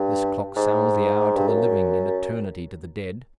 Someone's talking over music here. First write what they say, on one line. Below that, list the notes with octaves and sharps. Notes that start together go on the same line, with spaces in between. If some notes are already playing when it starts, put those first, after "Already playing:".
This clock sounds the hour to the living, and eternity to the dead.
Already playing: G2
G#2
G2
F#2